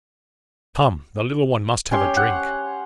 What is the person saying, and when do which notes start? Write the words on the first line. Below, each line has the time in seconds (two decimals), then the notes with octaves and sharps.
Come! the little one must have a drink.
1.91 C#4 G4 C#5 C6
2.17 F#5